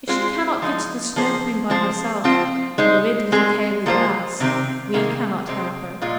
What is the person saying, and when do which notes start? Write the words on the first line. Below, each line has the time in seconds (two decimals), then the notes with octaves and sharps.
If she cannot get to the Snow Queen by herself, and rid little Kay of the glass, we cannot help her.
0.08 G#3 C4 F4 G#4 C5
0.62 F3 G#3 D#4
1.16 F3 A#3 G#4 C5
1.70 F3 C4 G#4 C5
2.24 F3 C4 F4 C5
2.78 G#3 D#4 C5
3.32 G#3 C4 G#4
3.86 F3 A#3 F4 C5
4.40 C3 D#3 C4
4.94 C3 D#3 A#3 D#4 G#4
5.47 C3 G#3 C4
6.01 A#2 G#3 F4